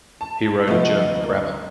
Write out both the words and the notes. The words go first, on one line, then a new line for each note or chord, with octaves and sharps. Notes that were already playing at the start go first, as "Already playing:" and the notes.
He wrote a German grammar.
A5
C3 F3 A3 B3 F4 D#5
D2 G3 D#4
A#3